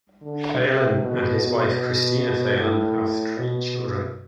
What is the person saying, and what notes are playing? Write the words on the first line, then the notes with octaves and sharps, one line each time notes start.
Phalen and his wife Christina Phalen have three children.
D3
C3
B2
B2
B2
A2
B2